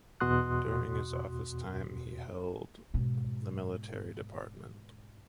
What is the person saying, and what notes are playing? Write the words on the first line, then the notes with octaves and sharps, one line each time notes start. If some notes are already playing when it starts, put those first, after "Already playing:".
During his office time he held the Military Department.
E2 B2 F#4 C6 D#6 F#6
G#2 B2